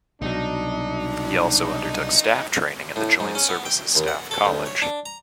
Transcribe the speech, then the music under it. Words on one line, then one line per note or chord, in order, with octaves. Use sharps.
He also undertook staff training at the Joint Services Staff College.
C2 B2 F#3 D4 D#4
A2
G#2
C#4
B3
G5
D#2
F#5
A4
D2
C#5
D4
A#5